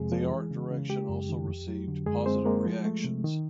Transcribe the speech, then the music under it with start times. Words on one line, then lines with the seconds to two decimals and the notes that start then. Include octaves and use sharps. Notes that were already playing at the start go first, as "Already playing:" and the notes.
The art direction also received positive reactions.
Already playing: F2 C3 F3 G#3 G#4
0.12 F3
0.31 E3
0.51 C#3
0.71 C#3
0.89 G#3 G4
1.09 F#2
1.29 D#3
1.48 F2
1.68 F#3
1.88 D3
2.06 F#2 G#3 G#4
2.26 G#3 C4 C5
2.45 G#3 A#3 A#4
2.65 F3
2.85 A3
3.04 C3
3.24 D#3